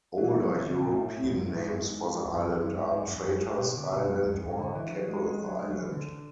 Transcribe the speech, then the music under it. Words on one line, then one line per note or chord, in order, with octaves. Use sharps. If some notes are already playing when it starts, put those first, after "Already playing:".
Older European names for the island are Traitors island or Keppel island.
F#3
E3
F#3
E3
D3
C#3
B2
A2
E2
F#2
A2
G#2
F#2
G#2
E2
F#2
E2
F#2
G#2
G#2
F#2
E2
F#2
G#2
A2
B2
D3
B2
F#2
F#2
E2
F#2
G#2
D3
E3
F#3
G#3
G#3
F#3
G#3
F#3
E3
D3